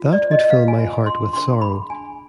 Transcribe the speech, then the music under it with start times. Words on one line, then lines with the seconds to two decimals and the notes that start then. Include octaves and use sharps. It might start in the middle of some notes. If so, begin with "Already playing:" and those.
That would fill my heart with sorrow.
Already playing: F4
0.13 D5
0.22 C5
0.31 D#5
0.50 B4 F5
0.68 G#5
0.78 F4
1.05 D4 C6
1.33 D4 C6
1.61 G#4 B5
1.90 D4 G#5